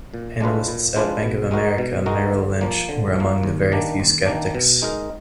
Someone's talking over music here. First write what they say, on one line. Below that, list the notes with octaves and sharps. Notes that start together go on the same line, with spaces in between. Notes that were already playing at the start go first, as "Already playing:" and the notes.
Analysts at Bank of America Merrill Lynch were among the very few skeptics.
A#2
G#3 D4 F4 B4
A#2
G#3 D4 F4 B4
B2
G#3 D#4 F#4 A#4
B2
G#3 D#4 F#4 A#4
D3
F3 A#3
D3
F3 A#3
D#2
D#3 A#3 D4
D#2
D#3 A#3 D4
B2
G#3 D#4 A#4